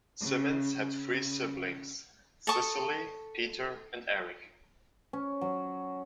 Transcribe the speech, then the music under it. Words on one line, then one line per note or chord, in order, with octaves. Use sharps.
Simonds had three siblings, Cicely, Peter and Eric.
C#3
C#3
A4 A5 C#6 D#6
C#4
F#3